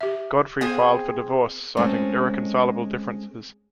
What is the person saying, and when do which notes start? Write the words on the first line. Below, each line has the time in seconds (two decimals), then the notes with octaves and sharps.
Godfrey filed for divorce, citing irreconcilable differences.
0.01 G4 E5
0.61 B3 C4 G#4 G#5
1.77 G#3 A3 C4 C#4